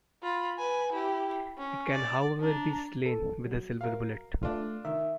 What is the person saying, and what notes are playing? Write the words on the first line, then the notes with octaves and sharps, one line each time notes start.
It can however, be slain with a silver bullet.
F4 B5
B4 G#5
E4 G4
C#4
D5
D4 A#5
A4
F#3
A#4 F5
A3 D4 F4
D#3 E5